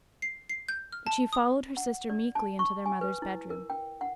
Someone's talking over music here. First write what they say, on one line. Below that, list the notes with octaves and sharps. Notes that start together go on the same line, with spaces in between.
But she followed her sister meekly into their mother's bedroom.
C7
C7
G6
F6
A5
D#6
F#5
D5
A5
C#6
G#5
B4
E4
A#4
G5
F#5